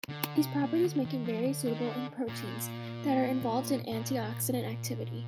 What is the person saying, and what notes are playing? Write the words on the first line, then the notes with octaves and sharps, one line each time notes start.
These properties make it very suitable in proteins that are involved in antioxidant activity.
D3
C3
A#2
D3
D#3
F3
D3
D#3
D3
A#2
A#2